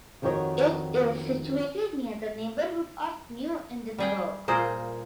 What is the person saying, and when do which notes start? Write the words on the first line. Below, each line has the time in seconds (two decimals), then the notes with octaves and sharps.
It is situated near the neighbourhood of New Edinburgh.
0.22 F2 D#3 F#4 G4 C#5 D#5
3.98 G3 G#4 G5
4.48 A#2 A#3 G#4 C5